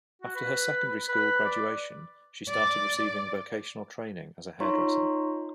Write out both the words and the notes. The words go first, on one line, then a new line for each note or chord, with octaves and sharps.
After her secondary school graduation she started receiving vocational training as a hairdresser.
F#4
B4
B4
D5
D5
D#4 F4 C#5 A#5 C6 C#6